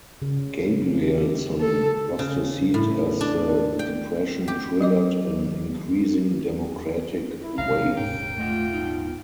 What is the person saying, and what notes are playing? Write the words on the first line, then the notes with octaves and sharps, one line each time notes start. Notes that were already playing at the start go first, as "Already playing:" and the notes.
Gabrielson lost his seat as the Depression triggered an increasing Democratic wave.
C#3
F#4 G4
A4
C#3
A2
D4
G5
G4
F#3 D#5 D6
E4
B1 C3 G#3 C#4 F5 A#5
D#1 G#2 G5
A3 F4 D#5 F#5
B3 D#4